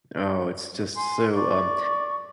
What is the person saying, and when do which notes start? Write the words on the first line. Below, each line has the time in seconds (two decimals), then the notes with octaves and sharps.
Oh, it's just so, um
0.96 G#5 C6
1.34 D5 C#6